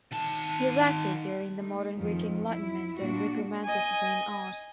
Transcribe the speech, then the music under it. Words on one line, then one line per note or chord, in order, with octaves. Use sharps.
He was active during the Modern Greek Enlightenment and Greek romanticism in art.
D#3 A5
A3 D#4
F2 D#3 F3 G#3
E4
A#2 D4 F#4
D#5 G#5